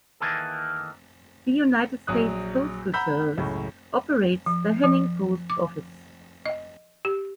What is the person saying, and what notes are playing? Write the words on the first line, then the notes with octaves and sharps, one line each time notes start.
The United States Postal Service operates the Henning Post Office.
D#3 E3 A#3 G#4 A4
A#1 F#3 D#6 F#6
F#5 A#5 B5 E6 G6 B6
C#2 F#2 A2
F3
F3
D6
D#5
G4